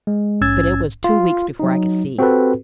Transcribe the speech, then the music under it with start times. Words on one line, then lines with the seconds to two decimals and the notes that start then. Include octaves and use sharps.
But it was two weeks before I could see.
0.07 G#3
0.41 A#1 G#2 C#4 E6 G#6 A6
1.04 F4
1.60 F#3 D#4
2.19 C4 F#4 G4 A4 B4